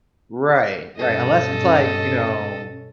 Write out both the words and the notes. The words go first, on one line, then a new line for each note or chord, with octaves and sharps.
Right, right, unless it's, like, you know
G2 B2 C#4 A4 D#5